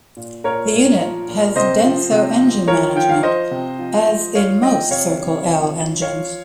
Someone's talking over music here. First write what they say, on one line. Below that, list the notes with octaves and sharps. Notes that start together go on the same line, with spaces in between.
The unit has Denso engine management, as in most Circle L engines.
A#2
A#2 A#4 C#5
A#2
F3
A#2
C3 C5 D#5
F3
C3
F3
F3 A#4 C#5
F3 G5
F5
F3 C5 D#5
C3
F3
F3
F3 C#5 F5
F3 D#5 G5
C3 C#5 F5
C3
F3
F3
F3 C#5 F5